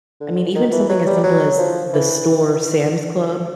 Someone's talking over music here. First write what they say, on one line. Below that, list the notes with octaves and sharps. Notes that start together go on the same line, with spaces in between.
I mean, even something as simple as the store Sam's Club,
D3
D#3
E3
F#3
G3
F#3
F3
E3